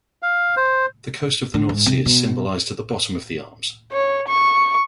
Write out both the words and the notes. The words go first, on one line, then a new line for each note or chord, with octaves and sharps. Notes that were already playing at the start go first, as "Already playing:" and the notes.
The coast of the North Sea is symbolised at the bottom of the arms.
F5
C5
D3
G#2
C3
B2
C#5
C#6